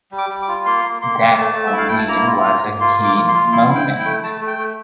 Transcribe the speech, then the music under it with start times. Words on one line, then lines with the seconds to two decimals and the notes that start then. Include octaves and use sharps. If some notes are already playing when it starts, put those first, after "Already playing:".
That for me was a key moment.
0.12 G3
0.18 D6
0.30 G3
0.42 D6
0.48 F4
0.65 A#3 C6
0.84 A#3
1.02 A#3 C6
1.20 A#3
1.38 A3 A5
1.54 A3
1.67 E5
1.73 E4
1.78 F5
1.88 E4 G5
1.99 A5
2.09 A#3 A#5
2.27 F4
2.45 A#3
2.62 A#3
2.80 F4 C6
2.99 A#3
3.04 D6
3.16 F4
3.28 C6
3.34 F4
3.52 E4 C6
3.69 E4
3.75 G5
3.88 E4
3.99 G5
4.05 A3
4.24 A3 A5
4.41 A3
4.47 G5
4.58 A3